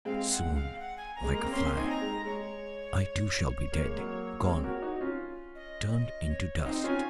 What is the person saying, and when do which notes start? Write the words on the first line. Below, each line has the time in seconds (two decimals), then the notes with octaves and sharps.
Soon, like a fly, I, too, shall be dead, gone, turned into dust.
0.05 G#3 C4 F5
0.30 F#5
0.54 F5
0.79 F#5
0.97 G#5
1.15 A#5
1.24 G#3
1.33 A#3 A#5
1.43 C4
1.52 A#3 C#4 C6
1.76 C4 D#4 G#5
1.89 A#5
2.01 G#3
2.25 G#3 C#5
3.72 A#3
3.85 G#3
3.97 F#3 A#3
4.39 A#3
4.46 G#3 C4
4.64 F#4 A#4
4.82 D#4 F#4
5.01 C#4 F4
5.55 D#5
5.93 D#5
6.29 C#5
6.66 C4 D#4 C5
6.84 C#4 F4 G#5